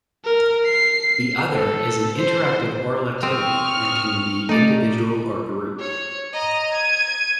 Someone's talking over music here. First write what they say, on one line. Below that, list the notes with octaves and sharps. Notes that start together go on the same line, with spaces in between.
The other is an interactive oral activity and can be individual or group.
A#4
C7
A4
C5
C4 C#6 D#6 F6
A3 D#4 D5
C#5
D#5 A#5
G#6 D#7